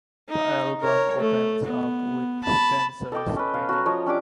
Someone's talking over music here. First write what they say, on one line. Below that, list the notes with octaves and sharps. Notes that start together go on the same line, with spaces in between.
The album opens up with Spencer screaming.
D#4
A#4 C#5
A3
B3
A5 B5
A4 D#5 G5 D6
C#4 B4
F5
F#4 A5 A#5
F3 F4 C#5 D#5
C#4 D4 G4 D6